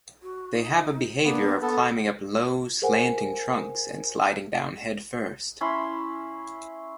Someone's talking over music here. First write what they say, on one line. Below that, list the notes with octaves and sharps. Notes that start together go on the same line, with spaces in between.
They have a behaviour of climbing up low, slanting trunks and sliding down headfirst.
F#4
D#4
A#3 B3 D4
B3 A4 F#5
G#4 A#4 C5 F#5 G#5
C#4 E4 B5 C6